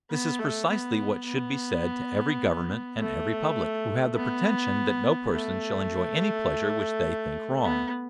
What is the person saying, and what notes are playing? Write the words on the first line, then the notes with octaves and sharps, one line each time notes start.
This is precisely what should be said to every government and every public, who have the pretension that no person shall enjoy any pleasure which they think wrong.
B3
A3
B3
B3
A3
B3
A3
B3